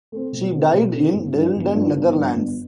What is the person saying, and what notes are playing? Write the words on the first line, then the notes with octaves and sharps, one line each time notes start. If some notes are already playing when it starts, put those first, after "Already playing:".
She died in Delden, Netherlands.
A3 C4
B2
A3 C4
B2
A3 C4
G1
G2 F3
G1
G2 F3
G1
G2 F3
G1